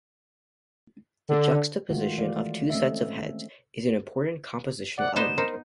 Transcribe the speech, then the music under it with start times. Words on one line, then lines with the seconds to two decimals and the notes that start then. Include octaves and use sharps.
The juxtaposition of two sets of heads is an important compositional element.
1.29 D3
1.90 D#3 G#3 A3 F4 F#4
2.18 E3 A3 D5 F5
2.70 G#3 A3 C4 C#4 D#5 E5
4.98 D5 F#5
5.16 B3 D#4 C5 E7
5.38 D#4 A#4 C5